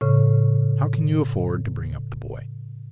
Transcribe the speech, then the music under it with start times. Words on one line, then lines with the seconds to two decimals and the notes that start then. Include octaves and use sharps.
How can you afford to bring up the boy?
0.01 A2 C#3